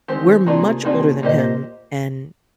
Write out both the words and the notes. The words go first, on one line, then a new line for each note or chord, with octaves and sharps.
we're much older than him, and
D#3 G#3 C4 G4 C5
C3 D#3 A#3 D4 F4 G#4
C3 D#3 A#3 D4 F4 G#4
A#2 A#3 D#4 G4 C5 D#5